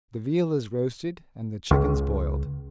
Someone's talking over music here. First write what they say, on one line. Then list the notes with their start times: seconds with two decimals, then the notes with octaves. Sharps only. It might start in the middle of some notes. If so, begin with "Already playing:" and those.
The veal is roasted, and the chickens boiled.'
1.71 C#2